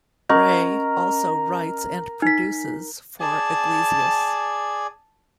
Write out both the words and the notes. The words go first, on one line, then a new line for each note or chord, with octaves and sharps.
Rey also writes and produces for Iglesias.
C#4 A#4 D#5 C#6
D#4 B6
G#4 D5 G#5 A5